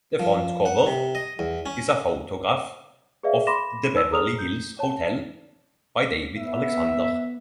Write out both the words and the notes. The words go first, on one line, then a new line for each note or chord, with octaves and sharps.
The front cover is a photograph of the Beverly Hills Hotel by David Alexander.
F3
F#5
C3
D#5
E2
C#4
G#4 B4 D5 E5 F5
B5 C6 D6 A#6 E7
D#4 B4 E6
G#4 A4 A#5 D#6 F6 F7
G6
C#5 A5
B3 E5